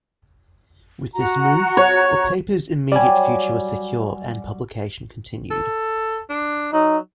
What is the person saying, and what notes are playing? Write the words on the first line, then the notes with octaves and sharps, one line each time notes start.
With this move, the paper's immediate future was secure and publication continued.
F#4 F#5 A#5
C#5
F#3 G3 D5 G#5
A4
D4
F#3 D#4